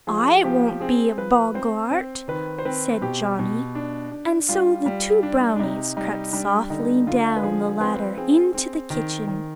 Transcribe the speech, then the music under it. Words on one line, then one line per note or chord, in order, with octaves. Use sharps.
"I won't be a boggart," said Johnny, and so the two brownies crept softly down the ladder into the kitchen.
F3 G#4
F3 G4
C4 G#4
F3 B4
C4 C5
C4
D#3 B4
C5
C4 B4
B2 G4
B2
D4
D4
G3 F4
G3
D4
D4
D4
C3 D#4
G3 D#4
G3 D4
D3 D#4
D3 F4
B4
F3 G#4
G#4
C4 B4
C4 G#4
C4
D#3
D#3